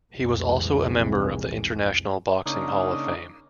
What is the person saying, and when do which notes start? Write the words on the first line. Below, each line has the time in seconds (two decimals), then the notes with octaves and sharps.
He was also a member of the International Boxing Hall of Fame.
0.12 F1 C2 A#2 E3 G#3
2.46 C#3 A#3 D4 D#4